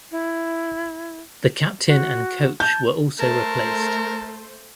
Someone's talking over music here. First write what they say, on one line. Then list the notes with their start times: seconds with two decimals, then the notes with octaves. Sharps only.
The captain and coach were also replaced.
0.11 E4
1.87 F#4
2.60 A5 G6
3.19 A3 A#4 C5 A5